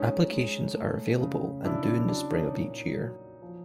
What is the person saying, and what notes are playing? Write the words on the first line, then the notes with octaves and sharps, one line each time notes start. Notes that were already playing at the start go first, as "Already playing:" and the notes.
Applications are available and due in the spring of each year.
Already playing: G#3 C#4 D#4
G#3
A3
C#3
C#3 D4 E4
D4
F#3 D4
C#4 D#4
A#2
F#3
F3